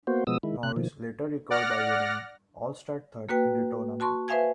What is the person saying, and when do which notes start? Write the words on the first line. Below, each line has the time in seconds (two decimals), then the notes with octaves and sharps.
Morris later recovered by winning all-star third in the tournament.
0.07 A#3 B3 F#4 C5
0.27 B2 F3 G#3 B3 D#6 E6
0.43 D#3 G#3 E4
0.63 C3 F#6
0.76 B2 D#3 F3
1.50 D5 F#5 F6 A#6
3.29 A#3 F#4 B4 G5
4.00 F#4 A5 C6 C#6
4.28 B4 C5 E5 F5 G#5 G#6